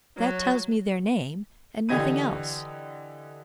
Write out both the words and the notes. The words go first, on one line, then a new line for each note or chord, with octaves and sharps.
"That tells me their name, and nothing else."
F#3
D3 E3 G4 D#5 G#6 D#7